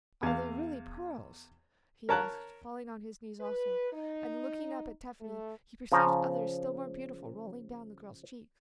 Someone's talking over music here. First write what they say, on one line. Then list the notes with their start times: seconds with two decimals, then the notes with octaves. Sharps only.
Are they really pearls?' he asked, falling on his knees also, and looking up at Tephany he perceived others still more beautiful rolling down the girl's cheeks.
0.23 E2 F5
2.09 A#4 C#5 A5 A#5 F#6
3.41 B4
3.93 D#4
5.21 A3
5.92 C#3 F3 A#5